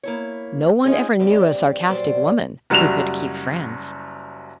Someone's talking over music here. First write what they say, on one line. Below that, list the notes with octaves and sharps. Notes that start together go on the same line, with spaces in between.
'No one ever knew a sarcastic woman who could keep friends.
A#3 E4 C#5
C#4 D#4 F4 G#4 C#5
E2 G2 C4 G4 D5
A#2 F#3 G3 C5 D5
F#1 F#3 G3 E7 F7